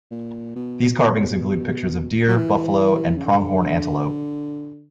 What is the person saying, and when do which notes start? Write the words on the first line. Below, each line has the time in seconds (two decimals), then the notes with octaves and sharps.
These carvings include pictures of deer, buffalo, and pronghorn antelope.
0.11 A#2
0.56 B2
2.28 F#3
2.36 E3
3.18 C#3
3.26 D3